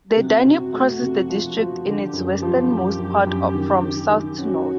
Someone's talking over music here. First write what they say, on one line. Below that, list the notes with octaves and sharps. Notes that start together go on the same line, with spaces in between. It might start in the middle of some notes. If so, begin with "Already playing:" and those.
The Danube crosses the district in its westernmost part from south to north.
C3 F#4
C3
A3
C3
F3
F3
D3 G4
F#2
G4
F3
F#2 G4
F#2
F#2
D#3
D#3
D#3
C#4 F#4